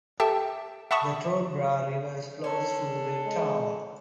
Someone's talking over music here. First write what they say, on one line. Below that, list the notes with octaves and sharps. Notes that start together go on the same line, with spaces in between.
The Tordera River flows through the town.
G4 A4 E5 G5 A5
E5 F#5 A5 B5 C#6 D#6
C#4 D4 A4
G#3